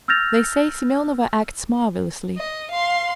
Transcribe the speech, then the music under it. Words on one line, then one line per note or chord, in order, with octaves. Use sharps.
They say Semenova acts marvelously.
E6 F6 G6 A6 A#6 F7
D#5
F5 C6